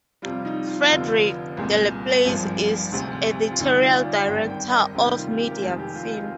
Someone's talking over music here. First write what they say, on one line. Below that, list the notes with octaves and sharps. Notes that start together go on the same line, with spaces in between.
Frederik Delaplace is editorial director of Mediafin.
F2 C3 G3 F4
D#4
F4
F1 F2 D3 F4
C2 A#2 G#3
G#1 G2 F3 G#3
D2 C3 F3 G#3
F4
D2 D3 G3 D#4
F4
D5
G#1 G2 D#3 G5
G5
D#5
D2 C3 D#3 G3 G4
F4
G4
A#4
F1 F2 D#3 G#3 G#4
G4
F4
F4